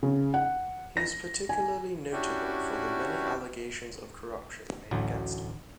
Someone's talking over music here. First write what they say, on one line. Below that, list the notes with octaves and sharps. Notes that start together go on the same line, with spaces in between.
He is particularly notable for the many allegations of corruption made against him.
C#3
F#5
A#6
G#5
C#4 D4 E4 F#4 G4
A1 D2 F#3